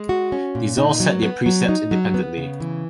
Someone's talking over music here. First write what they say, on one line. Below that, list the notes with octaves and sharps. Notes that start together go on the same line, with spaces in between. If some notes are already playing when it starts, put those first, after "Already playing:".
These all set their precepts independently.
Already playing: G#3
F#4
C#4
A#2
D#4
F#3
B3
F#3
D#4
F#3
B3
C#3
E3